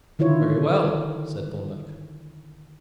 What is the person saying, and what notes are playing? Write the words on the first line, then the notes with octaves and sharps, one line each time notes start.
"Very well," said Thorndyke.
D3 D#3 E4 F4 C#5